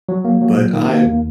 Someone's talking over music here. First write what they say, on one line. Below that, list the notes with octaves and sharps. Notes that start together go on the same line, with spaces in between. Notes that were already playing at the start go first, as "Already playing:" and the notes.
But I
F#3
A#3
F#3
A#2
D#3
A#3
D#2